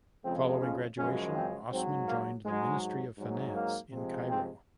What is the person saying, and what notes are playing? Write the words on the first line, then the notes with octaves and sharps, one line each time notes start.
Following graduation Osman joined the ministry of finance in Cairo.
F2 C#3 F3 G#3 C4
C#4
F#2 C#3 F3 G#3 C#4
C4
G#2 F#3 C4
A#3
G#2 F#3 G#3
G#2 F#3
A#3
C3 F3 G#3
C4